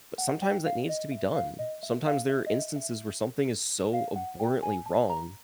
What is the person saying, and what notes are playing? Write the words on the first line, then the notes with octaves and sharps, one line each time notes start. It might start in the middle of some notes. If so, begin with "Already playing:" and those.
but sometimes that needs to be done, sometimes there are instances where something is so abhorrently wrong
F#5
G5
F5
D#5
E5
F5
D#5
E5
F5
E5
D#5
E5
E5
F5
F#5
G5
G#5
A5
A#5